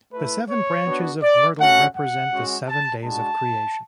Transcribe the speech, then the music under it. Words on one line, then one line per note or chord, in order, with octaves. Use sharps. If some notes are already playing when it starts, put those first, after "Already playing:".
The seven branches of myrtle represent the seven days of creation.
A3 E4 B4
C#5
B3 D4 F#4
D5
A3 C#4 F#4 F#5
F#5
G#3 C#4 F#4
A5
G#3 D4 F#4 A5